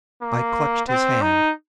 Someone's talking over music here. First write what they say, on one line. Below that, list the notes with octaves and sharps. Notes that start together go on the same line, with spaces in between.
I clutched his hand.
A#3
C4
D#4